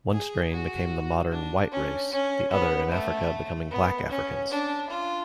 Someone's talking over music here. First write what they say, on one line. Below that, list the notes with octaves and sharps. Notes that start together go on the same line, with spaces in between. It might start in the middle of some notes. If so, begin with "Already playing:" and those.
One strain became the modern "white" race, the other in Africa becoming black Africans.
G#4
F#4
D4
C#4
C#4
B3
A3
B3
C#4
D4
F4